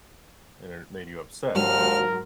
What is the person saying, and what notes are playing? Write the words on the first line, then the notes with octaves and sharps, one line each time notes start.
and it made you upset and
D#2 G#2 D3 F3 F#3 F#4 A#4 F6